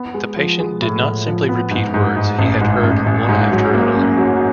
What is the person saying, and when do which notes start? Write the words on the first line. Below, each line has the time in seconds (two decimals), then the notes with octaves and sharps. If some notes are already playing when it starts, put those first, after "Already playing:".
The patient did not simply repeat words he had heard one after another.
Already playing: B3
0.14 G#3
0.36 F3
0.60 G#3
0.82 A2
1.04 A2
1.27 F3
1.49 B3
1.71 G#2
1.94 G#2
2.17 G#2
2.39 A1
2.61 G#2
2.83 A1
3.06 A1
3.29 G#2
3.52 F#3
3.74 A#3
3.96 F#2
4.18 F#3